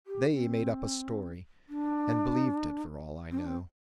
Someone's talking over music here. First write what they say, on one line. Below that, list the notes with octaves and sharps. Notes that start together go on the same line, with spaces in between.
They made up a story, and believed it for all I know.
G4
C4
D4
C4
D4
C4